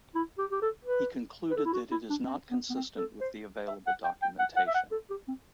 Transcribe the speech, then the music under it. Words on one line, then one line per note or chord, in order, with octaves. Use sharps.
He concluded that it is not consistent with the available documentation.
E4
G4
G4
A4
B4
B4
A4
E4
F#4
E4
D4
C4
B3
B3
C4
A4
C5
E5
F#5
G5
G5
F#5
F#5
E5
F#5
A4
G4
C4